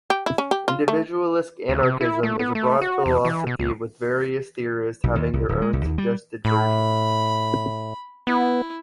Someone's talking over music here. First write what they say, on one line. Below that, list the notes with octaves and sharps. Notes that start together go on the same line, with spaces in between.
Individualist anarchism is a broad philosophy with various theorists having their own suggested versions.
G4
E4
C#4
G4
F4
A3
D2
C3
E4
A3
B3
A3
F#4
E2
E3
B2
C#2
B1
D#2
C2
D1
G#3
C2
D#2
G3
A2 B5
B3 E4